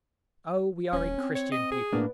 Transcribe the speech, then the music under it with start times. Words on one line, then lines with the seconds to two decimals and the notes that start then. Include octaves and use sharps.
Oh! we are a Christian people!
0.93 D#1 C#4
1.18 C4
1.35 C#5
1.52 D#5
1.72 G#4
1.93 A2 A#3 B3 D4